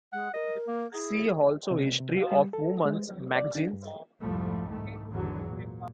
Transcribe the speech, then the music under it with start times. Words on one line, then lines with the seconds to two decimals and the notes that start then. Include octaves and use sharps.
See also history of women's magazines.
0.13 G#3 F#5
0.34 A#4 D#5
0.67 A#3
0.94 E4 G#4
1.71 C3
2.00 C3
2.17 F#4
2.32 G3
2.53 A4
2.85 G#3
3.11 F#3
3.35 D5
3.55 D4
3.73 G2
4.20 C2 F2 G#2 F3 G3 A3
4.69 G#2 D#3 A3
5.12 G#1 E2 D3 E3 F#3
5.47 A#2